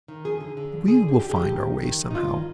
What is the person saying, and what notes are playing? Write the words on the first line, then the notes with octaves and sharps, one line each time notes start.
We will find our way somehow.
D#3
F2 G#4
D3
D3
F2
D3 G#4
D3 G#4
D3 G4
G#4
F2 G4
D#3
G2
D#3
D#3
D#4
G2 F4
D#3